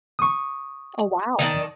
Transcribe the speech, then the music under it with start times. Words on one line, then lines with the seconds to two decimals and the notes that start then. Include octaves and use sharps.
Oh, wow.
0.19 C#6 D#6
1.39 D#3 D5 A5